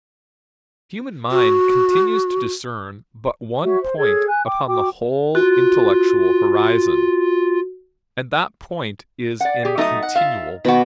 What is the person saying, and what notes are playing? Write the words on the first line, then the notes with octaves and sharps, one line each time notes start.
The human mind continues to discern but one point upon the whole intellectual horizon, and that point is in continual motion.
F#4
F#4 C#5 E5
C5
G#4 A4 C#5 G#6
G#5 F#6
G5 D6
F#4 G5 D6
F4 F#4
D5 F#5
G4 G#4
F#3 A3 D#4 D#5 A#5 D#6
F#5
F4 E5 F5
B2 D#3 F#4 B4 D6